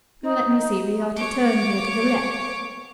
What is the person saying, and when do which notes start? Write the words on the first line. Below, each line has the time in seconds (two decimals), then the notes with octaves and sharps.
Let me see;--we are to turn here to the left.
0.22 D#4
1.16 C#5 D6